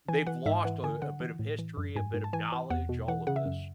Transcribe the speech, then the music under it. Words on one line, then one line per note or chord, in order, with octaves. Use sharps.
they've lost a a bit of history, a bit of knowledge, all of this.
E3 G#5
E3 F#5
G#2 E5
E3 F#5
D3 G#5
D3 F#5
E3
A2
E3
F#2
G#2 G#5
G#2
A5
E3 G#5
E3
E2 F#5
B2
E3 F#5
C#3 F#5
E5
F#2